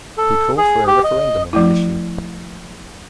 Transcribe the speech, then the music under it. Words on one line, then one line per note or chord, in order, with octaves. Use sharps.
He called for a referendum on the issue.
A4
G#4
G4
D#5
F3 A3 E4